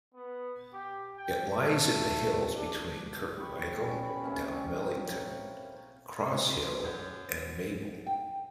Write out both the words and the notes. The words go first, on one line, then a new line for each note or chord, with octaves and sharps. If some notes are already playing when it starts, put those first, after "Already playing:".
It lies in the hills between Kirkmichael, Dalmellington, Crosshill, and Maybole.
B3
G4
G5
A3
D4
G4 B5 C#6
G3 B3 C#4
B5
A2 A#3 C4 C#4
C6
F#2
G5